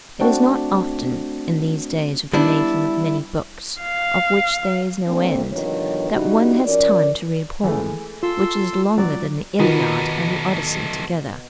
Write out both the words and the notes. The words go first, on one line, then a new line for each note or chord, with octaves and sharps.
It is not often, in these days of the making of many books of which there is no end, that one has time to read a poem which is longer than the 'Iliad' and the 'Odyssey' together.
A3 C4 D4 F#4
G3 B3 D4 E4
F5
D2 A#2 C4
G2 B2 D3 D#3 F3 C#5
C#3 G3 D#4 E4 F#4
F3 C#4 A#4 D5
E3 G#3 A3
F4 A4 C6 E6
F#3 D5
B2 D#3 A3 D#4 F4 B4 A#5